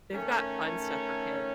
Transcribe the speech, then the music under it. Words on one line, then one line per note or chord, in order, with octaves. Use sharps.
They've got fun stuff for kid
D#3 A3 C#4